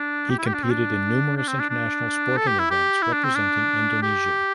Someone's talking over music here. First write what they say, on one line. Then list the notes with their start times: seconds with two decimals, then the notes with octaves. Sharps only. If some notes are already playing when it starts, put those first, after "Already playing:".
He competed in numerous international sporting events representing Indonesia.
Already playing: D4
0.30 G4
0.38 E4
0.46 G4
0.54 D4
0.63 C4
0.70 D4
1.37 D4
1.48 C4
1.59 D4
1.69 D4
2.37 A4
2.47 G4
2.59 E4
2.70 G4
3.02 E4
3.13 D4
3.24 C4
3.35 D4
4.02 G4